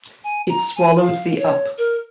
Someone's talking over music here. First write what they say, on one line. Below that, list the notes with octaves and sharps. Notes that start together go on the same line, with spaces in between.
It swallows thee up.
G#5
A#5
G#5
F5
C#5
A#4